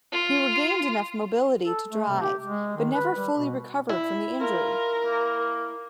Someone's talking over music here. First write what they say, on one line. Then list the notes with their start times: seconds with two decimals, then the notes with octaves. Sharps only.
He regained enough mobility to drive but never fully recovered from the injury.
0.12 F4
1.65 A4
1.90 A3
2.08 C3
2.20 G4
2.43 G#3
2.77 D#3
2.94 B4
3.17 G3
3.36 B2
3.89 E4
4.40 F4 A#4
5.06 A#3